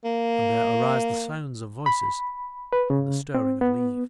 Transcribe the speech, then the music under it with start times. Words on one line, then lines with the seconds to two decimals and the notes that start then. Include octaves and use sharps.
And there arise the sounds of voices and the stirring of leaves.
0.05 A#3
1.86 B5
2.73 B4
2.90 C#3
3.35 C4
3.61 B3